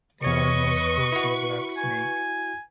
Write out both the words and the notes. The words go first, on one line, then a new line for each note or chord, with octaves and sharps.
There are no schools in Black Snake.
E2 B4 C#5 D#5 C#6 C#7
E4 F#4
G#5